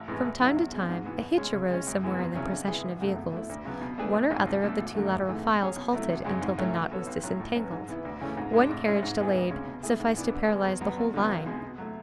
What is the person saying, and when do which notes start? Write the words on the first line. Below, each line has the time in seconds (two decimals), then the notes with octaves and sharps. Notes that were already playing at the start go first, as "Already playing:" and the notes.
From time to time, a hitch arose somewhere in the procession of vehicles; one or other of the two lateral files halted until the knot was disentangled; one carriage delayed sufficed to paralyze the whole line.
Already playing: A1
0.08 A2 E3 G#3 B3
0.24 A1
0.40 G#2 F#3 C#4 E4
0.56 E2
0.72 B2 G#3 D4
0.89 G#2
1.06 E3 B3 F#4
1.21 B2
1.37 G#3 C#4
1.53 C#3
1.70 G#3 C#4
1.87 F#2
2.03 E3 G#3 B3 F#4
2.19 E2
2.35 C#3 F#3 C#4 E4
2.52 D3
2.68 G#3 B3 E4 G#4
2.85 G#1
3.01 F#2 C#3 F#3 A3
3.16 B2
3.33 A3 E4
3.49 D2
3.65 C#3 F#3 B3
3.81 B2
3.98 A3 D4 G#4 B4
4.14 A1
4.30 G#2 G#3 C#4
4.47 C#2
4.63 B2 A3 D4 A4
4.79 G#1
4.95 F#2 D3 F#3 A3
5.12 G#1
5.29 G#2 E3 A3
5.44 B2
5.60 F#3 C#4 G#4 C#5
5.77 B2
5.93 F#3 A3 E4
6.09 G#1
6.25 F#2 C#3 G#3 C#4
6.41 G#2
6.58 F#3 A3 C#4 E4
6.74 E3
6.91 B3 F#4 A4 C#5
7.07 B1
7.23 A2 F#3 C#4
7.40 A2
7.56 F#3 C#4 F#4 B4
7.72 G#2
7.88 E3 B3 E4
8.05 D2
8.20 C#3 E3 A3 C#4
8.37 G#2
8.53 G#3 D4
8.69 A2
8.86 G#3 C#4 E4
9.03 G#2
9.18 G#3 B3 E4 G#4
9.35 D2
9.51 C#3 G#3 C#4
9.67 B2
9.83 A3 E4 G#4
10.00 G#2
10.16 E3 B3 D4
10.32 D3
10.48 G#3 B3
10.65 E2
10.81 B2 F#3 B3
10.97 E2
11.14 D3 F#3 B3
11.29 B1
11.46 B2 G#3
11.62 B2
11.78 F#3 A3